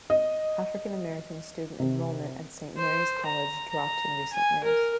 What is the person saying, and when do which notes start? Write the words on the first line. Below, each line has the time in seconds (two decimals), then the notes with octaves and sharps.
African-American student enrollment at Saint Mary's College dropped in recent years.
0.10 D#5
1.80 C3
2.76 C5
3.26 A#5
3.69 A#5
4.33 G#5
4.64 A#4